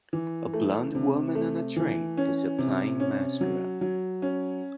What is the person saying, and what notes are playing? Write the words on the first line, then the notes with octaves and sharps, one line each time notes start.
A blond woman on a train is applying mascara.
E3
A3
C3
A3
E3
C#4
C3
C#4
F#3
F#3
C#4